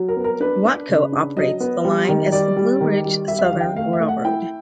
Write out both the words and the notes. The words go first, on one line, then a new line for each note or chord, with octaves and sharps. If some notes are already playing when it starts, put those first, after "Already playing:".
Watco operates the line as the Blue Ridge Southern Railroad.
Already playing: F#3
A#4
B3
A#4
D4 B4
D4
C#3
D4
F#3 D#5
B3
G3
D#3
G3 D5
G3
D#3
G3
G3 E5
E5
F5
D#3
G5
A3 F5
E5
A3
F#5
E4 G5